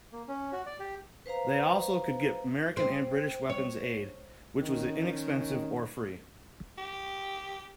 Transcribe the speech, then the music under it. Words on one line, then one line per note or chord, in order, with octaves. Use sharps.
They also could get American and British weapons aid, which was inexpensive or free.
A#3
C#4
F#4
D5
G4
B4 C5 F5 A#5
C4
C#5
D#3 C#4
G4